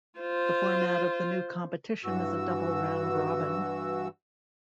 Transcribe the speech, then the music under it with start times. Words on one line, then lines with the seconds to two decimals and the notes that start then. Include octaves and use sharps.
The format of the new competition is a double-round robin.
0.20 F4 C5
2.04 G2 E3 F#4 E6